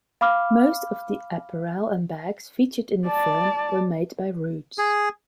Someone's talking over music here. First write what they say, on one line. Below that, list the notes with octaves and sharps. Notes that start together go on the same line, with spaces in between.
Most of the apparel and bags featured in the film were made by Roots.
F5 B5 D6 F6
D5 A5
G#4